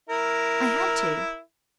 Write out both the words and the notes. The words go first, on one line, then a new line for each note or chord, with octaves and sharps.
I had to.
E4 A#4